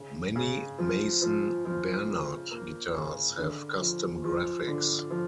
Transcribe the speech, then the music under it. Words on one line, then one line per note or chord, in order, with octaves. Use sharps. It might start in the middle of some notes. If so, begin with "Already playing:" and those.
Many Mason Bernard guitars have custom graphics.
Already playing: C#3
C#3
F3
F3
F3
C#3
A#3
C#3
D3
F3
F3
D3
F3